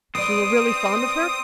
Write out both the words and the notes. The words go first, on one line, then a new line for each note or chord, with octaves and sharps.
"If you were really fond of her?"
C4 B4 D5 D#6